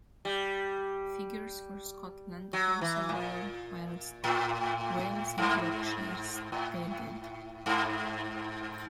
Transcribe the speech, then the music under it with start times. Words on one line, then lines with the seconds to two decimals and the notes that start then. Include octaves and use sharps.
Figures for Scotland also lowered whilst Wales and Yorkshire steadied.
0.25 G3
2.53 F#3
2.81 E3
3.09 A#2
4.24 A2
5.38 G#2
6.52 A2
7.66 G#2